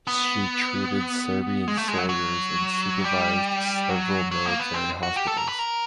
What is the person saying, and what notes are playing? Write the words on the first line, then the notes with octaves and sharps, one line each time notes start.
She treated Serbian soldiers and supervised several military hospitals.
B3
G#3
A3
G#3
F#3
F#3
G3
F#3
F#3
A#3
B3
C4
F#4
G4
A4
A#4
B4
A#4